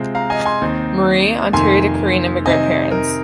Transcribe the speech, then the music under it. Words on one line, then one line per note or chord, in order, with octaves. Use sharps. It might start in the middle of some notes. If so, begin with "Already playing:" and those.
Marie, Ontario to Korean immigrant parents.
Already playing: C3 G#3 C4 F4
F5 A#5
D#5 G#5
G#5 C6
D#2 D#3 C4 D#4
F2 C3 D#3 A#3 G#5 C6
C3 D#3 C4 D#4 D#5 G#5
A#4